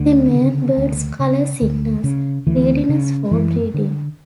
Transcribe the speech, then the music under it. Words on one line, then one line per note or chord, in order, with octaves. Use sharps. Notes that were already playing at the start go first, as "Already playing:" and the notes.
The male bird's color signals readiness for breeding.
Already playing: D2 D3
C#3
D2
C#3
D2
C#3
D2 E3
C#3
F#2 E3
D3